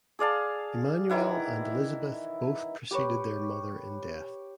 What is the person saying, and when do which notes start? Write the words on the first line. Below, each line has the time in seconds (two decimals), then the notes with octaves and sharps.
Emmanuel and Elisabeth both preceded their mother in death.
0.19 G#4 D5 F5 A5
1.09 D#3 E3 E4 F#5
2.91 G4 B4 C#5